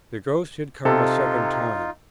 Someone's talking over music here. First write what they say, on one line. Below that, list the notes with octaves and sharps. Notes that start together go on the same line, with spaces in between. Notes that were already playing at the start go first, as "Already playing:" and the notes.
The ghost had come a second time.
C3 D#4 F4 A4